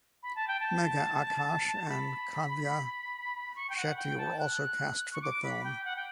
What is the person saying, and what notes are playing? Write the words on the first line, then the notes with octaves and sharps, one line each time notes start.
Megha Akash and Kavya Shetty were also cast for the film.
B5
A5
G5
A5
C#6
B5
C#6
G5
F#5
G5
A5
F#6
C#6
D6
B5
G5
F#5
G5